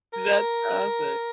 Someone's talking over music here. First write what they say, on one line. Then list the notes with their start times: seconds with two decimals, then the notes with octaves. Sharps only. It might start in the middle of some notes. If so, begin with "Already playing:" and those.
That's awesome.
0.13 A#4